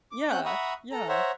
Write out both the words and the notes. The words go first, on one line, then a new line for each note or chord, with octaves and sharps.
Yeah. Yeah.
D6
C4 C#4 F#5 F#6 G6
E5 F#5 A#5 B5 C#6 D#6
A4 A#5
C5 C#5 E5 F#5 A#5